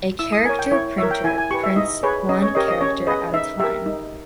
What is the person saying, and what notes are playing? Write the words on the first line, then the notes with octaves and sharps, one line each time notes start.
A character printer prints one character at a time.
E4 E6
D#6
A#4 C#5 G#5
G5
E4 C#5
A#4 C#5 E5
G5
E4 G#5
G#5
G4 B4 C#6
E5
D#4 D#5
G#4 B4 C#5
C#4 D#5
C#5
G4 A#4 C#5 D#5
D#5
C#4 C#5
G#4 B4 D#5
D#4 E5
G4 A#4 E5
D#4